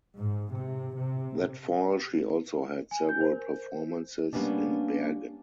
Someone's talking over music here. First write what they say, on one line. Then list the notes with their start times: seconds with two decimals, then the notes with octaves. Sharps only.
That fall she also had several performances in Bergen.
0.18 G#2
0.55 C3
0.98 C3
2.91 G#5
3.09 G6
3.21 C5
3.33 A#4
4.33 G3 A#3 B3 C#4 D4